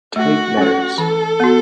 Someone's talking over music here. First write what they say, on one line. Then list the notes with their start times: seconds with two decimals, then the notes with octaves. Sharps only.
Take notes.
0.16 A3 F#4
0.57 C#4 A4
0.98 E3 A4
1.40 B3 F#4